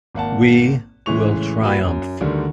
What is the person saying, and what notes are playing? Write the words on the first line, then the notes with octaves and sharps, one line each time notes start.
We will triumph.
G#1 A#3 F#5 A5
A2 C#3 E3 G#3 C#6 F7
A#3 E4 F#4 B4
F#2
D2 D3 D#3 G3